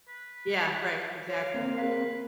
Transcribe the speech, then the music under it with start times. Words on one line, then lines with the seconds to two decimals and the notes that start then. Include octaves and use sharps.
Yeah, right, exactly.
0.08 B4
1.29 C#5 F5
1.54 A#3 C4
1.78 G#4 A#4 B4 F5